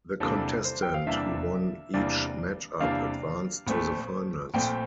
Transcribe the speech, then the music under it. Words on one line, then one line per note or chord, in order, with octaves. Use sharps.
The contestant who won each matchup advanced to the finals.
E2 C3 G3 A#3 D4 A4
C5
G5
F5
E2 C3 G3 A#3 D4 E5
E2 C3 G3 A#3 D4
E2 C3 G3 A#3 D4 F5
A#1 A#2 A3 C4
A#1 A#2 A3 C4 G5